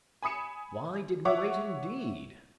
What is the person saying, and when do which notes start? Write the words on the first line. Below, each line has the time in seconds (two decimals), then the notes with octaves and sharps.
Why did we wait, indeed?
0.22 G#5 B5 D#6 C#7 E7
1.25 C#5 E5 F#5 D6